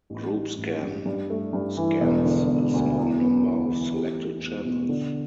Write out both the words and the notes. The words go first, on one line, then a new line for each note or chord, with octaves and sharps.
Group Scan scans a small number of selected channels.
A1
G3
A1
G2
G2
A3
G2
E3
E1
D3
E1
D2
E2
B3
E2
E3
G4
A3
E2
B2
D3